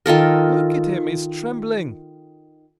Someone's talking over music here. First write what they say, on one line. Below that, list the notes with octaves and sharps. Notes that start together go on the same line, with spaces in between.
Look at him, he's trembling!
D#3 F4 A4 A#4